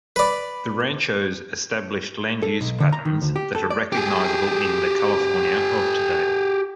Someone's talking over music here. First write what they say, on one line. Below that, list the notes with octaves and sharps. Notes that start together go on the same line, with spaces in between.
The ranchos established land-use patterns that are recognizable in the California of today.
B4 D5
A4
B1
D3
A#5
D#3
D2
G4
A4
D5
G4 G#4